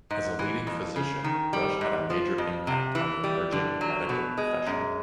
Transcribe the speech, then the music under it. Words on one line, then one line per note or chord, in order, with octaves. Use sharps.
As a leading physician, Rush had a major impact on the emerging medical profession.
G#2
E3
F2
C#3
D#3
G3
G#2
F3
F2
C3
E3
G3
D3
F#3
B2
G#3
F#2